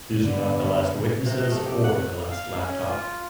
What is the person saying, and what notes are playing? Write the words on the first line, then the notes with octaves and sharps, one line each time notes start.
These are not the last witnesses or the last laptop.
D3 B3
C3
D#5
A3
G4
F#5
F5
C#4
F4